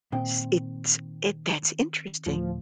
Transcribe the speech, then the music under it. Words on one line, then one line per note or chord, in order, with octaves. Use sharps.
S it's it that's interesting.
A#2 D#3 C4 G5
D1 A2 F3